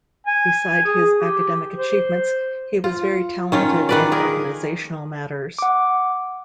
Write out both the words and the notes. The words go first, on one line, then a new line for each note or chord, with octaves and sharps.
Besides his academic achievements, he was very talented in organisational matters.
G#5
G#4
G4
C5
F4
D#3 C#4 F4
D#3 B4 D5
G#4 A#4
F#5 D6